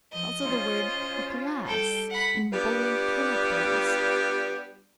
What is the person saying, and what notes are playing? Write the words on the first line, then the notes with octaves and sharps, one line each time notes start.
Also the word GLASS in bold characters.
F3 D#5
C#4 F4 C5
G3 A4 G5
F#5 B5
G3 B3 D4 F4 G4 B4